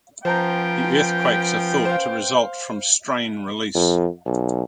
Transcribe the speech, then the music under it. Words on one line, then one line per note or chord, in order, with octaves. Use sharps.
The earthquakes are thought to result from strain release.
F3 B3 C#4 C5 G5 A5 A#5
C5 F5
F2
B1